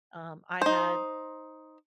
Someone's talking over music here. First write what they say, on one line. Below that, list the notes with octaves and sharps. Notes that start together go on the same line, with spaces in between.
um, I had
D#4 C5